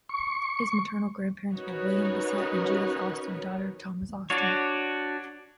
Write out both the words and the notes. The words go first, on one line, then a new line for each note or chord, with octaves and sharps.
His maternal grandparents were William Basset and Judith Austen, daughter of Thomas Austen.
C#6
C#4 D#4 F#4 A#4 B4 C#5
D4 F#4 C#5